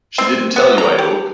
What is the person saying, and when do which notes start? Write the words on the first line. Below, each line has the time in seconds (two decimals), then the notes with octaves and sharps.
She didn't tell you, I hope?
0.18 C4
0.56 B3
0.78 A#5
0.98 G4